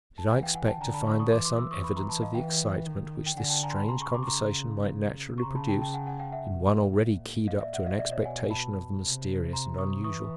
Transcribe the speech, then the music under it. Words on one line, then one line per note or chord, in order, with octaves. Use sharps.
Did I expect to find there some evidence of the excitement which this strange conversation might naturally produce in one already keyed up to an expectation of the mysterious and unusual?
A5
E3 F#5 G#5
F5 G5
F#5 G#5
G5 A5
D3 G#5 A#5
A5 B5
B5 C#6
C#6 D#6
E3 C6 D6
C6 D6
D6 E6
C#6 D#6
B5 C#6
A#5 C6
A5 B5
D#5 F5
E3 F5 G5
D#3
G5
D3 F#5 G#5
G5 A5
G#5 A#5
C6
A5 B5
C#3 A#5 C6
B5 C#6
C6 D6
C#6
A#5 C6
C#6
C#3 A#5 C6
A5 B5
G5 A5
G5 A5
F#5 G#5
F#5 G#5
F5 G5
E5 F#5
B2
A#2
D#5 F5
D5 E5
E5 F#5
D#5 F5
B2 D5 E5
C#5 D#5
F#5 G#5
A5 B5
C3
A#5 C6
C#6 D#6
E3 C#6 D#6